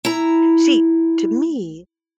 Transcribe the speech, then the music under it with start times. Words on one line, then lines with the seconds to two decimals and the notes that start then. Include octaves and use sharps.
See, to me,
0.05 E4 A#5